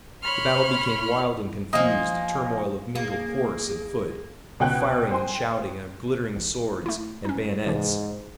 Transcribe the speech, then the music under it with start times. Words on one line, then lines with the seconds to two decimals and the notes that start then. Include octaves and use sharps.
The battle became wild and confused, a turmoil of mingled horse and foot, of firing and shouting and of glittering swords and bayonets.
0.23 C#5 B5 C6 F6
1.73 F3 A#3 D#5 G#5
2.95 A#3 G#4
4.60 C#2 B2 B4 F#5 G5 F#6
5.11 C5 G5 G#5 C6
6.36 A1
6.86 A3 E4
7.25 C#4 D#4
7.66 G#2 C3 E3